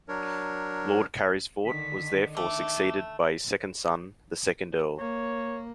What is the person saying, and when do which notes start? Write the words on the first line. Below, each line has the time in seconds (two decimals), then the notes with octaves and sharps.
Lord Carysfort was therefore succeeded by his second son, the second Earl.
0.08 F#3 D4 A#4 C#5
1.65 D3 D#3 B6
2.37 A3 D6
4.98 A#3 C#5